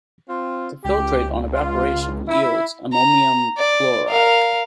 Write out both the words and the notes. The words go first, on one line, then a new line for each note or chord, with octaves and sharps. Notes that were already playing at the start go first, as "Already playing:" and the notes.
The filtrate on evaporation yields ammonium chloride.
C4 F4
C#2 G4
F4
E4
A#5
D5
A#4 F5